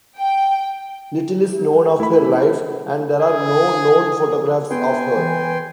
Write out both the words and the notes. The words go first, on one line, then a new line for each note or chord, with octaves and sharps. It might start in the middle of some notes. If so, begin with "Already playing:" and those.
Little is known of her life, and there are no known photographs of her.
G5
A3 E4 B5
C#4
G#4
B3 G5 G#5 C6
E3